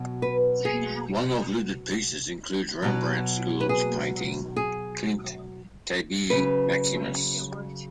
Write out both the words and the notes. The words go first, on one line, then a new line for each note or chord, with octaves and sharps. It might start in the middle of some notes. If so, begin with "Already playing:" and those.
One of looted pieces includes Rembrandt school's painting 'Klint Tabie Maximus'.
Already playing: B2 F#3
B4
G#4
B2 F#3
B4
G#4
G#4
C#3 F#3 B4